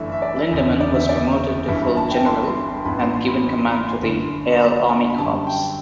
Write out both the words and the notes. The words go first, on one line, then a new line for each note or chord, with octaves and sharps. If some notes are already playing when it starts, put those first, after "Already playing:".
Lindemann was promoted to full General and given command of the L Army Corps.
Already playing: G1 F#2 E3 A3 D4 E5
E5
D5
E5
F#1 E2 D3
D5
E5
D5
G1 G2 E3 E5
B5
A5
G5
C6
C6
A1 G2 E3 B3 B5
C6
C6
B5
B5
C6
G1 F#2 D3
B5
B5
F#2 D3 G3 A5
G5